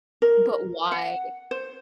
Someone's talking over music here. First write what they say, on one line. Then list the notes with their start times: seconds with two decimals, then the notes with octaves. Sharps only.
But, why?
0.22 A#4
0.92 F#5
1.51 C5